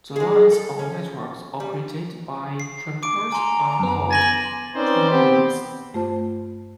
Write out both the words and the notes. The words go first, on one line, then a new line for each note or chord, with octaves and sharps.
The lines or networks operated by tramcars are called tramways.
G#3 G#4
A4
C#4
G3
C7
D6 D7
G#5 A#5 C6
F#2 B3
G#5 A6 A#6 F#7
C4 C#4 D#4 B4 C5 D5
B3 C4 G4
G2 A3 F4 C5 A5